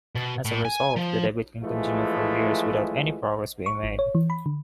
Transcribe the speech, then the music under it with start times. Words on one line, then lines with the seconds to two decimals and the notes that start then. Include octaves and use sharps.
As a result, the debate can continue for years without any progress being made.
0.15 B2
0.45 A2
0.65 G#5
0.96 F3
1.63 E3 F3 G#3 A3
3.66 C#6
3.83 G#1
3.99 C#5
4.15 E3
4.30 B5
4.46 D3